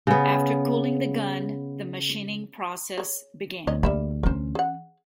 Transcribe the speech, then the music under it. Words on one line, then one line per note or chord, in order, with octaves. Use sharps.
After cooling the gun the machining process began.
C#3 B3
G#4 C#5
D2 C#5 D#5
G3 A#3 E5 B5
E3 C#4 A#4 C5
G#4 F#5